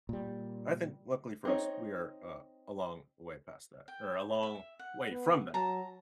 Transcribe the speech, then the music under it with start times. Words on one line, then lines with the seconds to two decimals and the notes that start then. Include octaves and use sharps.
I think luckily for us, we are, uh, a long way past that or a long way from that.
0.09 A#2 G3
1.45 C4 D#4 C#5
3.88 G5
4.43 E5
4.79 F#5
5.11 B3
5.54 F#3 A5 A#5